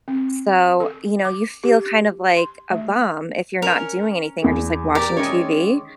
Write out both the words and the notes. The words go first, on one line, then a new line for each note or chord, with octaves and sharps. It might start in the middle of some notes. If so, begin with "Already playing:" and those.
So, you know, you feel kind of, like, a bum, if you're not doing anything, or just, like, watching TV.
C4
A4
D6
G4
C6
A3
C#4 A#4
E2 G#4
G4 A#4 D5
D#3 G#3 C#4 C#5